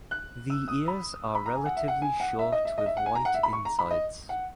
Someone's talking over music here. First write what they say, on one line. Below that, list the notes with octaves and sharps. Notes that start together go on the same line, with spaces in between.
The ears are relatively short with white insides.
F#6
E6
D#6
B5
B5
A#5
G#5
F#5
E5
F#5
G#5
F#5
E5
D#5
E5
D#5
E5
F#5
G#5
A#5
F#5
E5
B5
C#6
A#5
B5
D#5
F#5